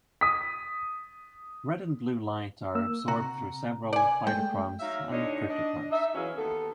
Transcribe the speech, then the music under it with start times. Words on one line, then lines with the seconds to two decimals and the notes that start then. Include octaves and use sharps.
Red and blue light are absorbed through several phytochromes and cryptochromes.
0.21 D#6 B6
2.75 A#3 E6
3.08 C3 F#4 A#5
3.93 D5 G#5
4.27 G#3 A3 G5
4.80 F#3 D#4 E5 F5
5.11 D2 A2 D4 D#4 C#5 D#5
5.48 D4 D#5
5.91 D#4 E5
6.14 E2 E3 F#3 C#4 G#4 F5
6.36 D#2 D#3 B3 A4